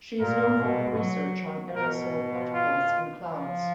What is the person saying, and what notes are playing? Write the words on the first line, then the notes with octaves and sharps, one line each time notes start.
She is known for her research on aerosol particles in clouds.
A#2 A#4
B2
F#3
B2 A#4
F4
F3